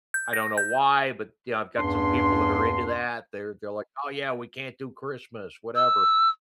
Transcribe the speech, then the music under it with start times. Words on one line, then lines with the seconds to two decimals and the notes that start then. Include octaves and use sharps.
I don't know why, but, you know, I've got some people that are into that, they're they're like, "Oh yeah, we can't do Christmas," whatever,
0.14 G6
0.33 A#6
0.58 G6
1.78 E2 G2 C#4 D4 C6
5.75 E6